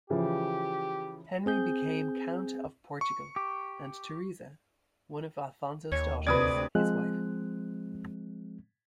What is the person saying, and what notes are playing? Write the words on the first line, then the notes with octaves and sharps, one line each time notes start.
Henry became count of Portugal and Theresa, one of Alfonso's daughters, his wife.
C#3 E3 F3 G4
C4 G#4 G6
C#6
G4
D#2 C#5
D2 C3 B4 D5 D#6 G#6
F3 G#3 C4 F#6